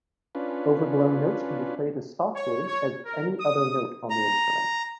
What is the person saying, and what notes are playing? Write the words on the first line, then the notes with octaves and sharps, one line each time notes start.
Overblown notes can be played as softly as any other note on the instrument.
C#4 D4 F4 B4
C#5
C#5
A#4
D#6
A#5